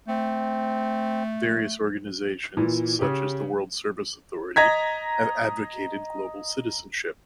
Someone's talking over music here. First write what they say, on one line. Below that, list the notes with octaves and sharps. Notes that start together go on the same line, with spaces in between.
Various organizations, such as the World Service Authority, have advocated global citizenship.
A3 C4
A#2 E3
C#3 C#4 G4
D#5 A#5 G#6 B6